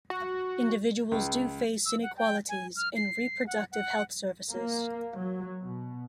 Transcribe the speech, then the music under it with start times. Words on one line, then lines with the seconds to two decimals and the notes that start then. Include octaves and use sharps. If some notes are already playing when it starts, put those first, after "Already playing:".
Individuals do face inequalities in reproductive health services.
0.10 F#4
1.12 C#2
1.85 E6
2.02 F#5
2.17 G5
2.49 G#5
2.76 F6
2.96 C7
3.46 F#5
3.72 F#5
4.50 A#3
5.15 F#3
5.62 B2